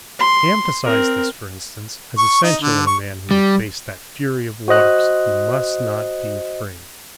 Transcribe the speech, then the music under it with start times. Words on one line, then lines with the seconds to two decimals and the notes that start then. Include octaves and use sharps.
He emphasized this, for instance, as essential in a man who would face that fury of waters, he must not be afraid.
0.19 C6
0.84 C4 A#4
2.18 C#6
2.43 D#4
2.62 D3
2.87 C#6
3.31 G3
4.68 F#4 C5 D#5 F#6